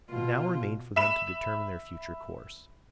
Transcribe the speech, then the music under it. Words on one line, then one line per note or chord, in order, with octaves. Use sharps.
It now remained for them to determine their future course.
B2 F4
E5 B5 E7